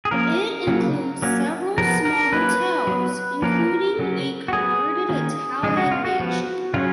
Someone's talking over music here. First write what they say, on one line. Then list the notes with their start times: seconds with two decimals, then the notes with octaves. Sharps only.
It includes several small hotels, including a converted Italian mansion.
0.05 G#4
0.11 F3 A#3 C#4 A#4
0.67 C#3 F#3 A#3
1.22 F#3 A#3 C#4
1.78 F3 B3 A#4
2.05 A#4
2.32 F#3 A#3 C#4 B4
2.87 F#3 B3
3.42 F3 A#3 C#4 A#4
3.99 C#3 F#3 C#4
4.48 F#4
4.53 F#3 B3 G#4
5.09 D#3 A#3 C#4
5.63 C#3 F3 G#3 G#4
5.77 F#4
5.92 F4
6.05 F#4
6.20 F3 B3
6.74 C#3 F#3 C#4 F4